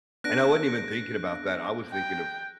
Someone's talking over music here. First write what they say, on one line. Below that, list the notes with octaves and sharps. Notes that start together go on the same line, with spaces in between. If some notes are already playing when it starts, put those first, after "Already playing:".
and I wasn't even thinking about that. I was thinking of
B3 D4 F#6 A#6 D7
G5